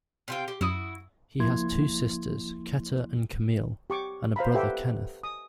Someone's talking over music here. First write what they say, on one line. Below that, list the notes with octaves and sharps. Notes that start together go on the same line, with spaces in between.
He has two sisters, Keta and Camillie, and a brother, Kenneth.
C3 F4 G5
G4
F#2 E4 F#4 D#6
C#2 F3 A#3 E4 C6 G#6
G4 C#6 D6
C5 F5 A#5 B5
G4 A4 B4 E5 F#5 G5
D#6